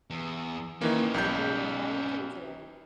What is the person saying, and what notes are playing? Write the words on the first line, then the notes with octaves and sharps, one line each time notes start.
I'm doing great. How are you doing today?
E2
D#3 E3 A#3 C#4 D#4
B1 G6